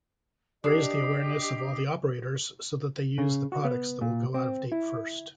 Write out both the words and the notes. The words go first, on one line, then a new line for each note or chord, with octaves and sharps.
Raise the awareness of all the operators so that they use the products that will go out of date first.
D4 G4 D#5 D6 D#6 C7
C#3
F#4
B3
A#2
C4
E4